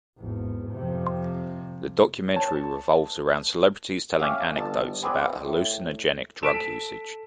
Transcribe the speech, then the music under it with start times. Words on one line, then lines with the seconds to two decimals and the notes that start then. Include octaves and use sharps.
The documentary revolves around celebrities telling anecdotes about hallucinogenic drug usage.
0.18 G#1 E2
0.71 F2 C3
2.34 C#5 A5
4.19 C#4 G4 E5 F5
4.57 G1 A5
5.02 B3 C4 G#4 D5 G#5
5.45 A2
6.43 A4 B6 D7 E7